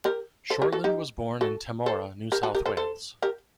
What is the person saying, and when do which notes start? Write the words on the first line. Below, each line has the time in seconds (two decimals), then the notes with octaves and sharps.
Shortland was born in Temora, New South Wales.
0.05 G4 A#4
0.50 A4 C5
0.62 G4 A#4
0.72 F#4 A4
0.84 D#4 G4
1.41 F#4 A4
1.86 A4 C5
2.32 G4 A#4
2.43 F#4 A4
2.55 G4 A#4
2.66 A4 C5
2.77 A4 C5
3.22 G4 A#4